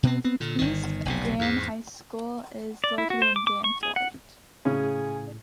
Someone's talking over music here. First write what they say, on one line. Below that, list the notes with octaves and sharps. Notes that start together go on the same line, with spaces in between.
East Grand High School is located in Danforth.
B2 B3 C4
B3 C4
A#2 D3
G1 D#3
F1 B1 C3
E2 G#2
D5
E4
F#4
C5
D6
D6
C#6
G#4
F#5
A2 C#3 C#4 G#4